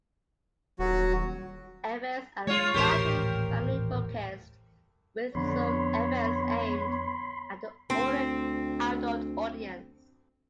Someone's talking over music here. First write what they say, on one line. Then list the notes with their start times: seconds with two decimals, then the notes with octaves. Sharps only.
Events are largely family-focussed, with some events aimed at an older adult audience.
0.79 D#1 F#3 F#4
2.47 G#3 F4 C#5
2.74 D#1 A1 G4 A#4 C5
5.35 F2 D3 B3 C#5 B5 C6
7.90 D2 C4